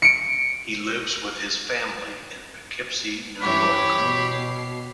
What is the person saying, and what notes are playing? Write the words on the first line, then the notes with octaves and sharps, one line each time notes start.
He lives with his family in Poughkeepsie, New York.
C#7 D7
G2 E3 C#4 G4 C#5 B5
B2 C7